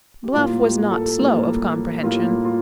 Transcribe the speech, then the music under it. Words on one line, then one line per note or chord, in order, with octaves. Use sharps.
Bluff was not slow of comprehension.
G4
A2 G3 A#3 F4
G4
A4
A2 G3 A#3
A2 G3 A#3 F4
F4